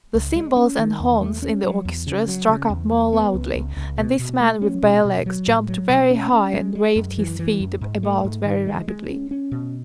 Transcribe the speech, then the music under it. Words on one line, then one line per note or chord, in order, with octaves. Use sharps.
The cymbals and horns in the orchestra struck up more loudly, and this man with bare legs jumped very high and waved his feet about very rapidly.
C#2
G#3
C#4
D#3
E2
A3
C#4
F#3
E2
C#3
F#3
C#3
E2
G#3
B3
C#2
C#2
C#2
B2
B2
A3
C#4
B2
B2
F#3
A2
F#3
B2
C#4
C#4
G#3
G#3
F#2
E3
E3
F#2
G#2
A3
G#2
D#3
G#3
G#3
C#4
C#4
B2